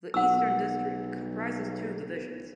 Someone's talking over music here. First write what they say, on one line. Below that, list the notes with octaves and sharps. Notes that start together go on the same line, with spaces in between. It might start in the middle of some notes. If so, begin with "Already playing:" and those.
The Eastern District comprises two divisions.
B1 F#5 E6